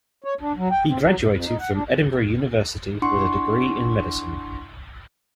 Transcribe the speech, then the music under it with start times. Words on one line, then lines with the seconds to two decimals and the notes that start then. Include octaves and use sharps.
He graduated from Edinburgh University with a degree in medicine.
0.24 C#5
0.40 D4
0.57 F#3
0.71 G5
0.88 C4
1.02 F#3
1.18 G#2
1.32 F2
1.45 D#4
1.59 F#5
1.72 D4
3.02 D4 E4 F#5 C6 C#6 C#7